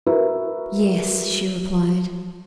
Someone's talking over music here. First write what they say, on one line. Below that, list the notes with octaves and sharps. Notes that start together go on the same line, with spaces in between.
"Yes!" she replied.
E4 F#4 A#4 B4